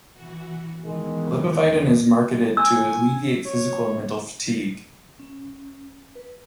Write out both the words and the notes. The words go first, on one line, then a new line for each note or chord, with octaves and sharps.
Lipovitan is marketed to alleviate physical and mental fatigue.
E3 F#4
E2 D#3 E3 G#3
G#5 E6
C#5
C#4
B4